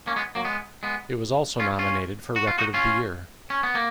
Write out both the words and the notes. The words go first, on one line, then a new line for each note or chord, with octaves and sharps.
It was also nominated for Record of the Year.
A#3 C#4
G#3 B3
F#3 A#3
G#3 B3
G#3 B3
C#4 F4
C#4 F4
F#4
F4
D#4 F#4
C#4 F4
C#4
B3
A#3